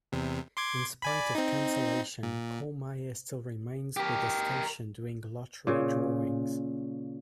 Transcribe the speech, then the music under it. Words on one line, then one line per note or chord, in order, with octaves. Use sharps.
In spite of cancellation, Kollmeyer still remains with the station doing lottery drawings.
E2 C3
C6 D6 G#6
D5 G#5 B5
C4 D#4
A#2
G4 A#4
A#2 C#3